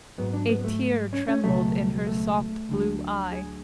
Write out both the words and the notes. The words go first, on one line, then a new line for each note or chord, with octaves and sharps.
A tear trembled in her soft blue eye.
G#2 F#3 B3
D4
B3
A3
C#4
C#4
C#2 B2 F#3 A3
A3
D2 D3 F#3
G#4